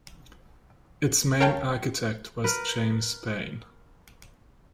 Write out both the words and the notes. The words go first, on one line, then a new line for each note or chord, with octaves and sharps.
Its main architect was James Pain.
A#4 C#5 F5 G5 A5
A#4 B4